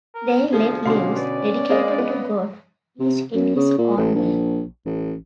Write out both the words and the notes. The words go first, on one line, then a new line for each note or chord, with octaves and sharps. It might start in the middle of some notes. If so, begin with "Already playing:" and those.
They led lives dedicated to God, each in his own way.
A#4
D2 F3 G#4
B2 D3 C#4 F5 C6 D6
B4 D5
G#3 A#3 C4 C#4 G#4 D#5 F5
B3
C3
F#2
C#3
A#2
A1
A#1
A1